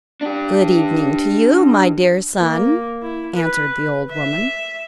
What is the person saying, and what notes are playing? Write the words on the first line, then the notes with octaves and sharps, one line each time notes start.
'Good evening to you, my dear son,' answered the old woman.
D4 G4
A#3
E4
B4
E5